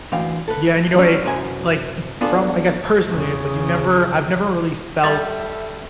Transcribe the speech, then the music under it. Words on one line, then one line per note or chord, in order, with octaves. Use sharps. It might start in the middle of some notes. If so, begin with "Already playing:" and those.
Yeah, and, you know, why I e like, from I guess, personally, it's like you never I've never really felt,
D2 E3 F5 G5
A4 B4
G3 C#4
C2 F#2 G#5
B3 D4 F4 G#4 A4 D5
E2 C#3
G3 A4 E5 A6